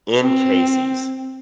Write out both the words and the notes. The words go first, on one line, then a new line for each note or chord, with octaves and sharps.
in Casey's,
C4